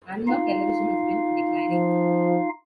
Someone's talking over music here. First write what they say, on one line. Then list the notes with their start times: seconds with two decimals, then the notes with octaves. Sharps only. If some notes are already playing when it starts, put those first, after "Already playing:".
Analogue television has been declining.
0.28 D#4 F4 F5
1.71 F3